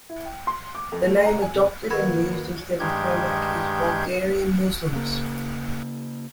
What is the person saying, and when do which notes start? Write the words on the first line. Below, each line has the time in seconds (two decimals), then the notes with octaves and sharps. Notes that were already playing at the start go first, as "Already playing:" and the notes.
The name adopted and used instead of Pomak is "Bulgarian Muslims".
0.09 E4
0.25 G5
0.47 C6
0.75 D6
0.92 F2
1.05 A3
1.26 A#5
1.42 G#5
1.54 C3
1.90 D#3 E3 A#3 F#4 A#4 B5 G#6
2.80 G2 D#3 G#3 G4 G6 G#6
4.93 C#3 A#3